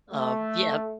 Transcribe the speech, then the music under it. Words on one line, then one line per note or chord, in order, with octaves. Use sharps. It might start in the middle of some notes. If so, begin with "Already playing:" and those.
Um, yeah
A3